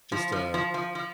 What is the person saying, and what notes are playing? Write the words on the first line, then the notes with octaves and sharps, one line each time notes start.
just to
F3
F3
F3
F3
F3